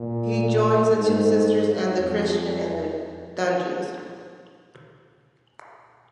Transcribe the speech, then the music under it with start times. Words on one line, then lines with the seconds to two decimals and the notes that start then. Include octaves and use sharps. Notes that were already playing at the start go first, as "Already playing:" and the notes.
He joins the two sisters and the Christian in the dungeons.
Already playing: A#2
0.94 G#2
1.98 F2